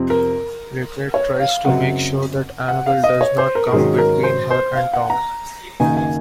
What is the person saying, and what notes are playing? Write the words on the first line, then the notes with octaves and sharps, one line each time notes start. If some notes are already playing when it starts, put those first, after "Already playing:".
Lynette tries to make sure that Annabel does not come between her and Tom.
Already playing: F2 C3 F3 C4
A#4
C#5
F5
F#1 F#2 C#3 F#3 C4 F#5
F#5
F5
D#5
C#5
C5
A#4
A#4
G#2 D#3 F#3 C#4 G#4
A#4
C5
C5
F5
F#5
A#5
F#1 F#2 D#3 A#3 D#4 G#5
G#5